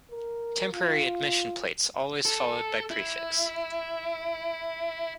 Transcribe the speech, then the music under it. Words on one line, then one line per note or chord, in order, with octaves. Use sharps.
Temporary admission plates always followed by prefix.
A#4
F4
A4
E4